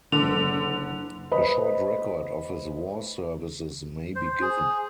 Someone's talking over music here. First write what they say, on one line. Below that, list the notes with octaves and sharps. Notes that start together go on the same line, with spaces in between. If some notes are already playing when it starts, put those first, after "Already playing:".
A short record of his war services may be given.
F#1 D3 F7
B4 C5 D#5 B5
C5
G#4